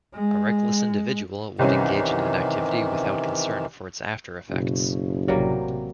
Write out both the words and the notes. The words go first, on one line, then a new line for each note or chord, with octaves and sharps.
A reckless individual would engage in an activity without concern for its after-effects.
G#3
C2 C3 D#3 E3 C#4
F#1 B2
A1 C3 F#3 G3 A#3